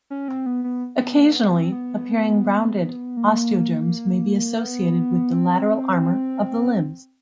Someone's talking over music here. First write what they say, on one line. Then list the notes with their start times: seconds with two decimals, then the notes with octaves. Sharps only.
Occasionally appearing rounded osteoderms may be associated with the lateral armor of the limbs.
0.10 C#4
0.28 C4
0.46 B3
0.64 B3
1.00 B3
1.18 A#3
1.36 B3
1.54 C4
1.72 B3
3.17 A#3
4.61 B3
5.33 C4